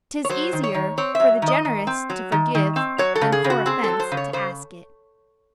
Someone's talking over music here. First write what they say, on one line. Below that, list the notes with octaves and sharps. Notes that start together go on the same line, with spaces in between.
"Tis easier for the generous to forgive, Than for offence to ask it."
C#5
F#3 C5
D#3
C#5
D#3
C4 C#5
F#3 E5
D#3
D#5
D#3
C4
F#3
D#3
D#3
C4
F#3 C#5
A4
C#3
G#4
C#3
F#4
C4 G#4
F#3 A4
C5
C#3
C#5
C#3 C5